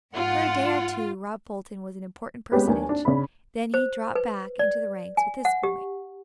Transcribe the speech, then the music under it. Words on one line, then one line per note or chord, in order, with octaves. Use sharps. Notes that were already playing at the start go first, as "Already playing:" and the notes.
For a day or two Rob Fulton was an important personage, then he dropped back into the ranks with his schoolmates.
G#2 F4 F#5
G#3 B3 C#4 G4 B4
D#2 A#3 D4 G#5
D4
C#3 D4 B5
C5
B4
D5
G#5
F#5
G4